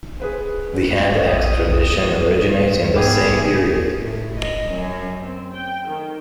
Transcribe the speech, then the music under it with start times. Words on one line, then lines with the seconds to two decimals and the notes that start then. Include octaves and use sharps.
The hand-axe tradition originates in the same period.
0.20 G#4 B4 C5
1.26 D#6
2.96 G#2 B3 G4 G#4
4.02 A2
4.36 D#5
4.70 F#2
5.21 C4
5.53 G5
5.89 D#3